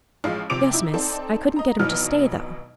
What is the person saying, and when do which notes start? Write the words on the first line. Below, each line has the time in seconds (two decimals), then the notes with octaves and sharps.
"Yes, miss, I couldn't get him to stay though."
0.24 A1 F3 G#3 F5
0.50 C3 F3 C4 D6 D7 F7
0.74 D#4 E4
0.94 C4 D#4 A4 D5
1.56 D#5 A#5
1.79 G#1 B2 E3 F#3 F6